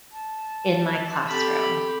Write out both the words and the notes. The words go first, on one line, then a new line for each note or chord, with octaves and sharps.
in my classroom.
A5
C4 G4 A4 B5